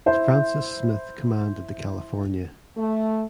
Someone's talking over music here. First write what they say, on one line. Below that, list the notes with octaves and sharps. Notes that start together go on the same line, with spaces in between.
Francis Smith commanded the "California".
E4 C5 E5
A3